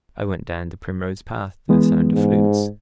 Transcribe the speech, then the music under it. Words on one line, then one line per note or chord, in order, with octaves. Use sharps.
I went down the primrose path to the sound of flutes.
E3 G#3 B3
G#2